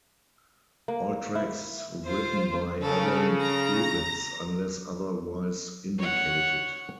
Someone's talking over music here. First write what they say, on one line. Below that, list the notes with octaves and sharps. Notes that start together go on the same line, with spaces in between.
All tracks written by Adam Duritz unless otherwise indicated.
A#3
E4
F4 C5
C#3 A4 A#4
A#5 A#6
C#5 F#5